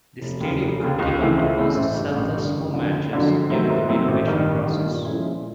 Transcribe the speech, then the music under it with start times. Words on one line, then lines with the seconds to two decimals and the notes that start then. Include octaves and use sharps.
The stadium continued to host Celta's home matches during the renovation process.
0.21 F1
0.40 D#2 C#3
0.60 F1
0.80 D#2 C#3
0.99 C#2
1.18 C#3 E3 A3 C4
1.37 C#2
1.57 C#3 E3 A3 C4
1.76 A1
1.95 G2 D3
2.14 A1
2.34 G2 D3
2.53 F#1
2.73 F2 D3 F#3
2.92 F#1
3.11 F2 D3 F#3
3.31 G#2
3.50 D#3 F#3 A3 C4
3.69 G#2
3.89 D#3 F#3 A3 C4
4.08 A1
4.28 G2 D#3
4.47 A1
4.66 G2 D#3
4.85 A#2
5.05 F3 G#3 C#4 E4
5.24 A#2